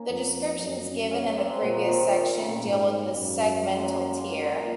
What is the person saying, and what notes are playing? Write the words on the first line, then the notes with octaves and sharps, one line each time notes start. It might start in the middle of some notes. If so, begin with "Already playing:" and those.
The descriptions given in the previous section deal with the segmental tier.
Already playing: A#3 C#4 D#4
F2
F#2
C#4
C#4
A#3 C4
G#3
A#2 F#3
F3
D#3
D#3
D#3
C#3
G#2
F#2
A#3
G#3
F#3
G#3
A#3
G#3
C#4
D#3
A#2